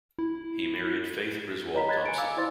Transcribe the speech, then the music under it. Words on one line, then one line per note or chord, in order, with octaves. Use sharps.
He married Faith Griswold Thompson.
E4
C#5 D#5 A#5 B5 B6
D#5 B5 F#6 G#6 A6
G#5 C#7 D7
F5 D6 E6
E4 C5 D5 G#5 C6 A6